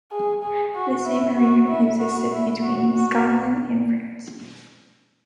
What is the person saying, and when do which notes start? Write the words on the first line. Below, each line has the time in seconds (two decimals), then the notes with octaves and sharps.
The same arrangement existed between Scotland and France.
0.12 G#4
0.43 G#4
0.75 F#4
1.06 E4
1.37 F#4
1.68 E4
1.99 F#4
2.31 E4
2.62 F#4
2.94 F#4